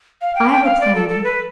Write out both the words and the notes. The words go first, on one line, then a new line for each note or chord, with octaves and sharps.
I have a plan.
F5
G5
G5
F5
D5
A4
A4
B4